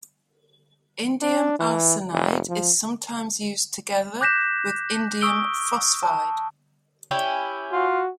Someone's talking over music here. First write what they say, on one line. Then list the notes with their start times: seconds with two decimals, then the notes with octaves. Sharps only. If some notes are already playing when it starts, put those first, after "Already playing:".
Indium arsenide is sometimes used together with indium phosphide.
1.22 D4
1.59 E3
2.12 F1
2.49 F3
4.21 D6 F#6 G6 A#6 B6 E7
5.21 C#6 D#6 E6 D7 G7
6.03 A5
7.11 C#4 E4 G4
7.72 F4 F#4